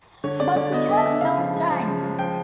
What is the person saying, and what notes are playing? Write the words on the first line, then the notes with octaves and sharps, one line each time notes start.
But we have no time.
D3 C#5
D3 D5
D3 D5
B3 D#5
D3 D#5
E5
B3
C#3 F5
F3
G#3
F3
C#3
G#3
F3 G5